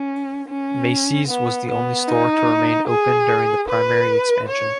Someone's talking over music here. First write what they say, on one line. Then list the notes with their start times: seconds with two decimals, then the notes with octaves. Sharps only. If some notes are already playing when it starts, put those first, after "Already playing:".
Macy's was the only store to remain open during the primary expansion.
Already playing: C#4
0.49 C#4
1.28 B3
1.69 B3
2.08 D#4
2.88 G#4
3.69 B4
4.49 C#5